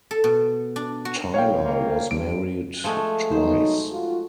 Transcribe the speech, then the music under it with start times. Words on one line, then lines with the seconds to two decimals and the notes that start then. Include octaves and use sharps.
Tyler was married twice.
0.11 A4
0.24 B2
0.76 D4
1.05 F#4
1.34 B1 C#5 F5 G5
1.64 A#3
2.11 G2 D7
2.84 F3 G#3 A3
3.31 F#3 D#4 C5
3.90 F4 F#4